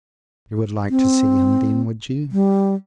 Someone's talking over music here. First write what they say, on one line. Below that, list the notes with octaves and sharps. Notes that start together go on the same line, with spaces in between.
"YOU would like to see him then, would you?"
C4
G3